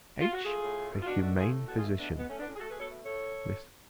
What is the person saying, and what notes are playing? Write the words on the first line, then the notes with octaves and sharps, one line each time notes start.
H. a humane physician. MR.
F4
F#4
A3 F4 G#4
A2
A3
B2
F4
B2 D4 F#4
A3 D4 F#4
A3 F4 G#4
A2
B2 F#4 A4
F4 G#4
A3
B2 B3 D4
G#3
B3
A3 C#4
B3 D4
A2 C#4
G#4
A3 F#4 A4
G#4 B4
B2 A4 C#5
A3
A2 A4 C#5